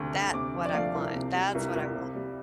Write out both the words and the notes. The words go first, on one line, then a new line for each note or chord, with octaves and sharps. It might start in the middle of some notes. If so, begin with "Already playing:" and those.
That's what I want, that's what I want,
Already playing: D2 C3 A3
D2
C3 D6
F3
D5
A3 F5
C2
C3
G3
C2
C2
C3
G3